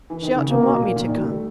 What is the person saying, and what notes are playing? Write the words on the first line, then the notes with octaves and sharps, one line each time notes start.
She ought to want me to come.
E3
D#3
C#3
C3 A#3
B2
A#2
A2
A#2
D#3
G3
A3